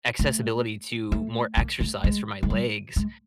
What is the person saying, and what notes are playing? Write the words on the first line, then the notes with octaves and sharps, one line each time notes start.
accessibility to more exercise for my legs.
A3
A3
A#3
A3
G#3
G#3
G3
G#3